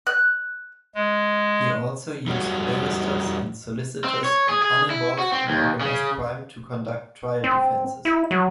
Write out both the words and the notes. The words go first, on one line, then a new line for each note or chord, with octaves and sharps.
He also used barristers and solicitors uninvolved in organized crime to conduct trial defenses.
F#6
G#3
F2 G3 C#4 F#4
C4
C#5
G#4
G#4
E4
F#4
C4
D#2
C#3
C4
E4
F#3